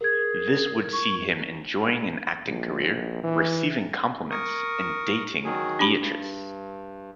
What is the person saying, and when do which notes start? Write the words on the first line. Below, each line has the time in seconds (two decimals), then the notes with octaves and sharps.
This would see him enjoying an acting career, receiving compliments, and dating Beatrice.
0.01 G#4 A#4 G#6
0.93 C#6
2.46 A#1
3.24 E3
4.31 A#4 C#6 D#6
5.44 D#3 F#3 G#4
5.79 D4 G4 B5
6.00 G2